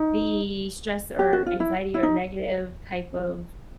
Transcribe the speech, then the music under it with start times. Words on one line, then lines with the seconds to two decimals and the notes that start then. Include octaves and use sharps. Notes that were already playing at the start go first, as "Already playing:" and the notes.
the stress or anxiety or negative type of,
Already playing: D#4
1.19 G4
1.33 F#4
1.46 F4
1.60 E4
1.94 E4
2.03 D#4